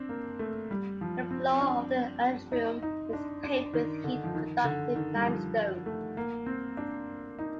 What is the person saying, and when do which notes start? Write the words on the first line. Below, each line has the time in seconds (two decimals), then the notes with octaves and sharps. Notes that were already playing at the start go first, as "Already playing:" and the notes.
The floor of the atrium is paved with heat conductive limestone.
Already playing: C4 D4
0.09 A#3
0.39 A3
0.71 G3
1.01 F3
1.31 C4
1.52 C4
1.61 D4
2.52 D#4
2.83 D#4
3.13 D4
3.43 D4
3.74 D#3
4.04 D3
4.24 F3
4.35 D#3
4.64 D3
4.95 D#3
5.15 G3
5.26 F3
5.86 A3
6.17 A#3
6.46 C4
6.77 D4
7.39 D#4